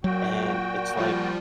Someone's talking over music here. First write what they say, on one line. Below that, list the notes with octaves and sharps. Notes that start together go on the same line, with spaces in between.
And it's like
A#2 F#3 F#4 G5
F3 G3 F4